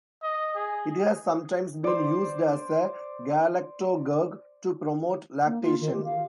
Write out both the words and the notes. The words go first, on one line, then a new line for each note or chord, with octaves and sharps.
It has sometimes been used as a galactogogue to promote lactation.
D#5
G#4
C5 D5
A#3
F4
D#3
G4
F5